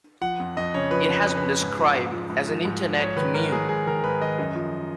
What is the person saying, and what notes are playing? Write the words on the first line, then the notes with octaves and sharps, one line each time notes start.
It has been described as an internet commune.
F3 F#5
F2
F2 D#5
C#3 C#5
F3 B4
F2
B4
F2
B4
C#3
G#2
F3
G#2
F3
G#2
F3
G#2
F3
G#2 C#5
D#3 B4
G#2 A#4
D#3 G#4
G#2 G#4
D#3 A#4
G#2 B4
D#3 D#5
F#2
F3